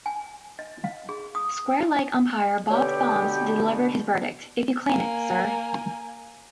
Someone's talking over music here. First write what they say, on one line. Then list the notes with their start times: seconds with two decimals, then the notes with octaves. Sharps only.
Square-leg umpire Bob Thoms delivered his verdict: If you claim it, Sir!
0.06 G#5
0.59 D#5
0.84 F5
1.09 G#4
1.35 D#6
2.70 B2 D3 G4 C#5
4.88 A#3 G#5